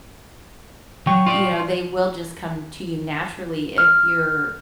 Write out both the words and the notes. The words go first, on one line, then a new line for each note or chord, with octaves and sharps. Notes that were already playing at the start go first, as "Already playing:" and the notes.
You know, they will just come to you naturally if you're
F#3 G5 C#6
F4 D5
F6